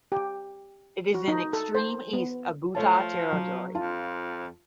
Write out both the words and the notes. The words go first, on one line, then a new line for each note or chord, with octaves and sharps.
It is in extreme east of Buta Territory.
G4
F#4
D#4
A4
C5
B3
F3 A3 C#5 A5
F#3
F2 F4 A5